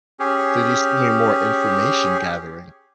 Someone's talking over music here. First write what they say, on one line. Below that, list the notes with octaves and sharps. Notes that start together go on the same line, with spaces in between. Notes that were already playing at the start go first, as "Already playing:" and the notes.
Did you send me more information gathering.
C#4 G4 G#4